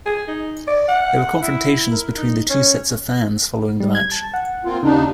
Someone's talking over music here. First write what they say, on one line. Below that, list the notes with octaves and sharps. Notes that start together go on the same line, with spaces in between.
There were confrontations between the two sets of fans following the match.
G#4
D#4
D5
F#5
E4
A#4
D#4
C#4
G3
G#6
A5
F#5
A#3 C4 F4
D#2 C#3 D4 D#4